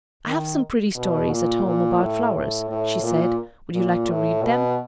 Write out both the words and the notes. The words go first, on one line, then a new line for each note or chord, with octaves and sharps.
"I have some pretty stories at home about flowers," she said; "would you like to read them?"
D#3
B2
A#2
A#2
A2
A2
A2
A#2
A#2
A2
B2